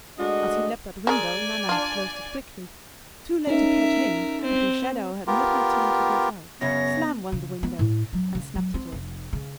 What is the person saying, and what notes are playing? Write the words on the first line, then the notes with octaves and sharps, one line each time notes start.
As he leapt at the window Nana had closed it quickly, too late to catch him, but his shadow had not had time to get out; slam went the window and snapped it off.
G#3 A3 D4 F#4 D#5
G#3 A#4 D5 G#5
D4 F4
C#4 D#4 A#4 E5
C4
B3 F4 G4 A#4
F#2 C#3 B3 C#5 A#6
C#3
B3
A2
F#3
C#3
F#3
C4
F1
C#3